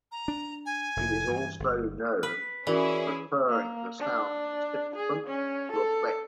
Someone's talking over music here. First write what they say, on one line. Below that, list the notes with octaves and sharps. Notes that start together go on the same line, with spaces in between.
He is also known for preferring the sound of a sixpence to a plectrum.
A#5
D4
G#5
F1 F2 A2
G2 E3
G1
B4
E3 C#4 E4 F#4 G#4 A#4 D5
A#3
D4
G#4
C#4
A4